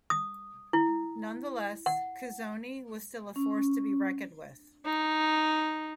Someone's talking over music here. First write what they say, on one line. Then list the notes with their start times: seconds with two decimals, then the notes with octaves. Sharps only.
Nonetheless, Cuzzoni was still a force to be reckoned with.
0.10 D#6
0.73 E4
1.86 F#5
3.36 C#4
4.86 D#4